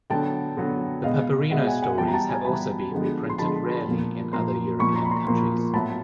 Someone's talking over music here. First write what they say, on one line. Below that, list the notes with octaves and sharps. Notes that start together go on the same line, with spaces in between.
The "Paperino" stories have also been reprinted rarely in other European countries.
D3 F#3 B3 G5 A5
D3 F#3 B3
B2 G#3 B3 D#5 F5
B2 G#3 B3 E5 F#5
F#5 G#5
F#5 G#5
E3 G3 B3 G5 A5
A#5
G5 A5
G#5 A#5
E3 G3 B3 A5 B5
D3 F3 G#3 B3
C6
D3 F3 G#3 B3 A5 B5
A#2 F3 A#3
A#2 F3 A#3 A#5 C6
A#2 F3 A#3 B5 C#6
A#5 C6
B5
A#5 C6
A#2 F3 A#3
A2 F#3 B3 A5 B5